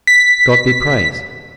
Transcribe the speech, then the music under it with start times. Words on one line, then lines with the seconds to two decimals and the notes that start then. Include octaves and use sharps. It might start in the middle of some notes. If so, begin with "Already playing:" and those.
God be praised!
0.07 B6